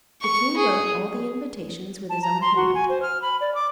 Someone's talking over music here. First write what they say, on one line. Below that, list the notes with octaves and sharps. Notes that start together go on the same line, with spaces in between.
The king wrote all the invitations with his own hand.
C#6
G#4
A5
A#5
C6
F#4
G#5
C5
F6
B5
D5
D6